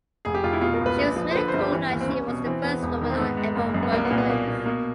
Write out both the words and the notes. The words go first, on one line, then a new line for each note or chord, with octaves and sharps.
She was really cool as she was the first woman I ever worked with.
F1 G#4
G4
F1 F4
E4
B2 F4
A#4
C#2 B4
A#1
F3
C5
D3 B4
C5
G1
G4
E3
D#2
C4
C2 C#4
B2
E3 C4
E2 B3
E1
D#3
C4
G#2 B3
G#2
F#1 A#3
F#2
B3
C2 A#3
B3
A#2
B3
B2 A#3
B2
B2 A#3